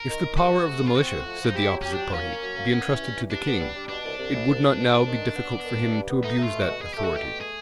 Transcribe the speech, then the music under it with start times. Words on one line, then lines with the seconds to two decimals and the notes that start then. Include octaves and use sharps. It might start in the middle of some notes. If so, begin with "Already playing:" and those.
If the power of the militia, said the opposite party, be intrusted to the king, it would not now be difficult for him to abuse that authority.
Already playing: A#4
0.09 D#3
0.24 D#3
0.38 C3 F#4
0.53 C3
0.67 A3
0.82 F3
0.87 F4
0.96 C4 F#4
1.11 A3
1.26 F3
1.40 F3 D#4
1.55 E4 G4
1.70 F#3
1.82 C#4 G4
1.94 F#3 D4
2.13 A#3 C#4
2.28 A#3
2.43 F#3
2.57 A#3
2.72 B3
2.86 E3
3.02 G2
3.16 E3
3.30 G3 D4
3.45 B3
3.60 G3
3.75 G3
3.89 B2 D4
4.04 C2
4.18 C2
4.33 C2
4.48 C2
4.63 C2
4.77 B2
4.92 C2
5.06 D#3
5.21 G2
5.36 B3
5.51 B3
5.65 D#3
5.80 G2
5.94 G3
6.09 B3
6.23 A3 D#4
6.38 A3 F4
6.53 B2
6.62 F#4
6.68 B2
6.82 B2 G#4
6.94 A3 G4
7.05 F#4
7.11 B2 G4
7.25 A3
7.41 G#4